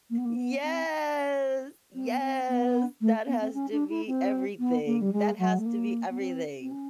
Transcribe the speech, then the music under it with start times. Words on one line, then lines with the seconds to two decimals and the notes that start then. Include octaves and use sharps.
Yes, yes. That has to be everything. That has to be everything.
0.10 A#3
0.18 B3
0.25 A#3
0.36 B3
0.63 C4
1.95 C4
2.08 B3
2.20 C4
2.48 B3
3.01 A3
3.27 B3
3.41 C4
3.54 C#4
3.72 D4
3.89 E4
4.07 C4
4.59 B3
4.86 A#3
5.01 G3
5.13 G#3
5.39 F#3
5.58 A3
5.66 A#3
6.10 B3
6.18 C4
6.61 C4
6.71 C#4